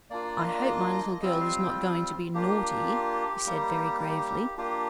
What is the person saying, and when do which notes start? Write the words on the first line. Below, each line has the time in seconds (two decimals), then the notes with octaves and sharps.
"I hope my little girl is not going to be naughty," he said, very gravely.
0.10 A#3 D4 F4 D5
0.39 D#5
0.56 D5
0.66 D#5
1.22 G3 C4 F4 D#5
1.41 F5
1.59 G5
2.34 A#3 D4 F4 G4
3.45 G3 A#3 D#4
4.01 G4
4.57 A#3 D4 F4 G4